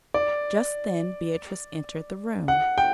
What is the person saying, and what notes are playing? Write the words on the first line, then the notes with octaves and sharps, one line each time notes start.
Just then Beatrice entered the room.
D5
F#5
G5